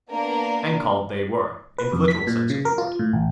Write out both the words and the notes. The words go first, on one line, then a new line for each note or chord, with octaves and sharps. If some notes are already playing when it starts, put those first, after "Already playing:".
And called they were, in the literal sense of the word.
A#3 B3 D4 A#4
B4
F2
B6
A#2
C#3
A#4
F4
A2
A1